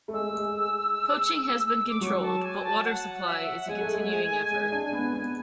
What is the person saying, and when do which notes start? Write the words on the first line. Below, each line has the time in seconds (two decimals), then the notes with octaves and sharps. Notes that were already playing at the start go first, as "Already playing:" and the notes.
Poaching has been controlled but water supply is a continuing effort.
0.08 A3
0.13 G#3 E6
0.35 G#3
1.90 D6
2.01 F#3 C#6
2.22 A5
2.43 G#5
2.63 A5
2.85 F#5
3.05 F#5
3.26 E5
3.47 F#5
3.68 G#3 G#5
3.81 A3
3.94 G#3
4.51 G#3
4.72 D4
4.93 B3
5.14 B3